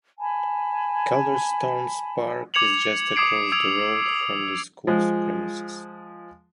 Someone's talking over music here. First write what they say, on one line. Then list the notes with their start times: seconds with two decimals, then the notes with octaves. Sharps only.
Calderstones Park is just across the road from the school's premises.
0.19 G#5 A5 B5
2.54 D6 G#6 C#7 F7 F#7
3.15 D6 D#6 G#6 C7 D7 F7
3.52 D#6 E6 G#6 D7 F7
4.87 F3 G#3